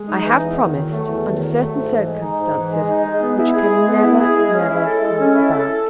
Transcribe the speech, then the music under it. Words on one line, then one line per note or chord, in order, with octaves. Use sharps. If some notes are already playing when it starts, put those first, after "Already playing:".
"I have promised under certain circumstances which can never, never come about."
Already playing: G#3
D#4
E3
E2
D#3
F#3
A3
E2
D#3
F#3
A3
G#2
E3
G#3
D#4
G#2
E3
G#3
D#4
G#3
B3
E4
G#4
G#3
B3
E4
G#4
G#3
C#4
E4
A4
G#3
C#4
E4
A4